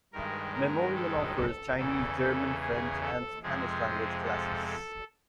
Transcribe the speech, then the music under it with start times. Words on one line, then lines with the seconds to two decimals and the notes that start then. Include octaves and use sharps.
Memorial offers Chinese, German, French and Spanish language classes.
0.13 G2 D#3 G#3 A#4
0.54 A#4
0.96 A4
1.36 A4
1.78 E2 C#3 E3 A4
2.19 A4
2.61 G#4
3.02 A4
3.43 F2 C3 F3 G#3 G#4
4.26 A4
4.67 A4